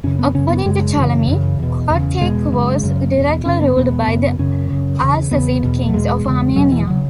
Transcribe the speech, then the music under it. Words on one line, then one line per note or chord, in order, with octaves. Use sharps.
According to Ptolemy, Kotayk was directly ruled by the Arsacid kings of Armenia.
F#2 C#3 C#4
B3
F#2 C#3 C#4
B3
F#2 C#3 G#3
F#2 C#3 E3
F#2 C#3
E2 B2
E2 C#3
E2 B2 G#3
F#2 C#3
F#2 C#3
E2 B2
F#2 C#3 C#4
B3
E2 B2 B3
F#2 C#3
F#2 C#3 C#4
F#2 C#3
E2 C#3
E2 C#3 B3
E2 B2
F#3
E2 B2 G#3
E2 C#3
E2 B2 F#3
E3
C#3 F#3